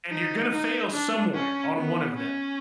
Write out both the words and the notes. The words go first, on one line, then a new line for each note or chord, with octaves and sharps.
And you're gonna fail somewhere on one of them.
D#4
D#4
D4
C#4
B3
C#4